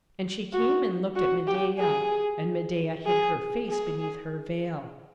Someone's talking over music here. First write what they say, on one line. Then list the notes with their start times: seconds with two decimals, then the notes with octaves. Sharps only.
And she came and looked at Medeia; and Medeia hid her face beneath her veil.
0.53 F#4
1.16 F#4
1.47 G4
1.79 G#4
3.06 G#4
3.69 G#4